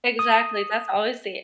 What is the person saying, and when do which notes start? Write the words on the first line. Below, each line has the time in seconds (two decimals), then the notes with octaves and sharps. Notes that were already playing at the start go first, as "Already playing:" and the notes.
Exactly, that's always the
0.19 D#6